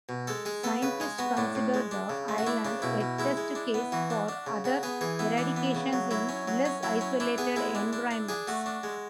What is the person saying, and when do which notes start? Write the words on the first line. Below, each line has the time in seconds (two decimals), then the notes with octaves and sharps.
Scientists considered the island a test case for other eradications in less isolated environments.
0.09 B2
0.27 G#3 A4
0.45 G#3 G#4
0.63 B3 A4
0.82 C#3 B4
1.00 G#3 G#4
1.19 B3 F#4
1.37 A2 D4
1.55 A2
1.74 G#3
1.91 D4
2.10 C#3
2.28 A3
2.38 F#4
2.47 D4 E4
2.65 C#3 D4
2.82 B2 E4
3.01 B2
3.19 G#3 E4
3.37 G#3
3.55 D4
3.74 B3
3.92 E3 F#4
4.10 D4
4.29 D4
4.47 C#3
4.64 C#3 F#4
4.83 B3 G#4
5.01 E3 G#4
5.19 B3 E4
5.37 E3 D4
5.56 B3
5.75 C#3
5.93 F#3
6.11 F#3 E4
6.29 C#4
6.48 F#3
6.65 C#4
6.83 F#3 E4
7.01 C#4
7.20 D4 E4
7.38 B3 G#4
7.56 G#3 E4
7.75 D4
7.93 D4
8.11 D4
8.29 D4 G#4
8.48 A3 F#4
8.66 D4
8.83 G#3